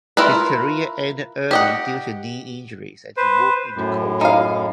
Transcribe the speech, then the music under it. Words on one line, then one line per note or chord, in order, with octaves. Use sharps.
His career ended early due to knee injuries, and he moved into coaching.
E4 F4 A#4 B4
G4 D#5 F#5
B4 C5
F#2 A2
D#4 F5